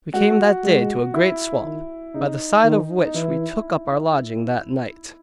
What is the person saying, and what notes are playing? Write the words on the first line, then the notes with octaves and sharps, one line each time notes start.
We came that day to a great swamp, by the side of which we took up our lodging that night.
G#3 F#4
G#3
E4
D#3
C#3 D#4
D#3
D#4
E3 E4